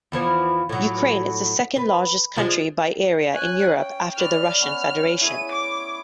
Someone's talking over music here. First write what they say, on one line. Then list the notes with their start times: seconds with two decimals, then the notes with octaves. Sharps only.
Ukraine is the second-largest country by area in Europe after the Russian Federation.
0.12 E2 E3 F3
0.69 A2 F#3
1.76 B4
2.36 F3 G#3 D4
3.33 C#4 G#5 F#6
3.79 G5
4.18 B4 C#5 D5 F6
4.61 B3 C#4 F#5
5.21 E4 G#4 C#5 D#7
5.52 D6